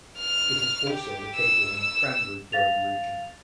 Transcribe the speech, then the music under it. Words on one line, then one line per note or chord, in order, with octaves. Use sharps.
It is also located in a cranberry growing region.
F6
G4
E6
E6
F5 A6 F7